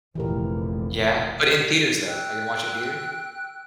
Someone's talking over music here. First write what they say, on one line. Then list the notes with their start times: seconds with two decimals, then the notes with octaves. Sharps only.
Yeah. But in theaters, though, are you gonna watch in theaters?
0.15 F1 A#1 E3 G4 A#4
2.08 G5 E6 F#6